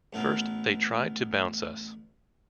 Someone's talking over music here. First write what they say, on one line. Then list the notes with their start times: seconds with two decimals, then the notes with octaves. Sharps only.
First they tried to bounce us.
0.13 A1 A3 B3 A#4